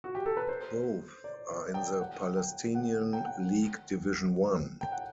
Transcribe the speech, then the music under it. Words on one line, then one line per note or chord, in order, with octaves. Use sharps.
Both are in the Palestinian League Division One.
F#4
G4
A4
B4
C5
D5
D5
G5
F#5
G5
F#5
G5
F#5
G5
F#5